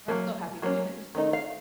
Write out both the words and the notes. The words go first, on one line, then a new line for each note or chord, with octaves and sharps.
and I'm so happy that you guys are still
F#3 A#3
F#3 A#3 C#4
D#3 A3 D#4
F5